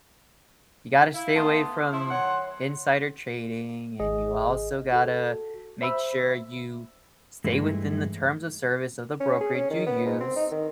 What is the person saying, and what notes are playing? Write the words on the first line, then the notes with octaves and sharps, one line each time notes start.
you gotta stay away from insider trading, and you also gotta make sure you stay within the terms of service of the brokerage you use,
E4 F5
A3 B3 A5 C6 D#6
F3 E4 C6
D#3 F#3 C#5 F#5
G#1 G#4 D#5
F#4 A4
C5 E5 B5 E6
G2 E3 G#3 A3 E4
C#4
G#4
C#4
D#3
B3
G#2
C4
D#4
D#3